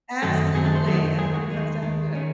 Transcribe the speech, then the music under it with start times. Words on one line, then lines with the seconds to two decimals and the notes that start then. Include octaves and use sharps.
Absolutely, that's where it comes down to it.
0.22 F#2 D#3 F#3 A3 A4
0.54 F#2 D#3 F#3 A3 G#4
0.65 A4
0.75 C5
0.86 F#2 D#3 F#3 A3 A4
1.18 D#2 D#3 G#3 G#4
1.34 F#4
1.50 D#2 D#3 G#3 D#4
1.82 D#2 D#3 G#3
2.15 D#3 C#4